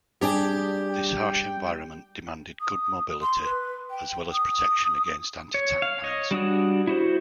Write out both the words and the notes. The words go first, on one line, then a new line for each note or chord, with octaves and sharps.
This harsh environment demanded good mobility as well as protection against anti-tank mines.
G3 D4 G4 G#4
G5
D#6
C6
B4
G5
D#6
C#5
F5
C#5 D#5
G3 D4 F#4 D#6
E4 F#4 C5